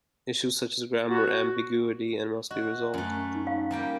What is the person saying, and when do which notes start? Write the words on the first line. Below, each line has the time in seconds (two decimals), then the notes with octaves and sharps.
Issues such as grammar ambiguity must be resolved.
1.09 F#4
2.51 F#4 D#5
2.94 F#2 A3
3.35 D#4
3.47 F5
3.71 G3 A#3 F5 G5